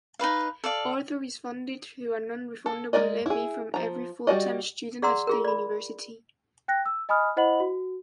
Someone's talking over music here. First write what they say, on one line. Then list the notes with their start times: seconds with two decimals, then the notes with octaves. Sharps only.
"Arthur" is funded through a non-refundable levy from every full-time student at the university.
0.19 D#4 F4 B4 F5
0.64 A4 D5 F5
2.66 A4
2.93 G#3 C#4 A#4 D5 D#5
3.26 E4 G#4
3.74 F3 A#5
4.27 G3 F#4 A4 D5 D#5
5.02 G#4 D5 F#5 A#5 C6 E6
5.27 F4 G#4 A#4
5.45 D5 B5
6.68 G5 F#6 A#6
6.86 E6
7.09 D#5 G#5 B5 D#6 F6
7.36 E4 C5 D#5 F#5 B5 F#7
7.60 F#4